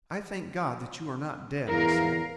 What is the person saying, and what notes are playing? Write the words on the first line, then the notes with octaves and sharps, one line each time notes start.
"I thank God that you are not dead," I said.
E2 A#4 F5